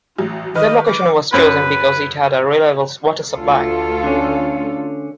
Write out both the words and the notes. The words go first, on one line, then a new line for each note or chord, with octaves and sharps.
The location was chosen because it had a reliable water supply.
A1 F#3
D#3 B4 D#5 F6
D6
F#2 B4 B5
D2 F4 A4
D3 C#4